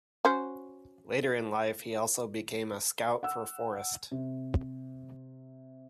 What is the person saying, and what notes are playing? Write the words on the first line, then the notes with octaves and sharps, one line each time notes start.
Later in life, he also became a scout for Forest.
C#4 F#4 C5
F#5 E6
C3